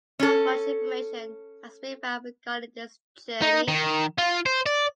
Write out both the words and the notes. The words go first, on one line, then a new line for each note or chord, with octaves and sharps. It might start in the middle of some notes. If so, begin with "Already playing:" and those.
Not much information has been found regarding this tourney.
C#4 A4
D#4
D#3
F4
C5
D5